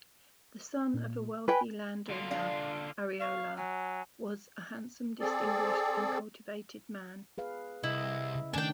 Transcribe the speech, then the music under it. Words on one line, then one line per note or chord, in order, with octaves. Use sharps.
The son of a wealthy landowner, Arriola was a handsome, distinguished and cultivated man.
A#2
B4 G5 G#5 B5
D3 F4
D4 F5
F5 C#6
F#3 G#5
C4 G#4 A4 D5
G#4 B4 F5
C2 E4 D#5
C#3
D#3 A3 C#4 D4 G5 G#5